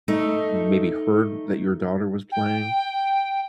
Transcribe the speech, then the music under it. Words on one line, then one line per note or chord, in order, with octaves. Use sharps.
maybe heard that your daughter was playing.
A3 D#4
G5